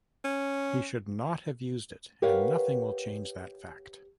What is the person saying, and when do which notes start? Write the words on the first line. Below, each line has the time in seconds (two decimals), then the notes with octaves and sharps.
He should not have used it and nothing will change that fact.
0.25 C#4
2.22 G4 A#4 B4 C#5 F5 F#5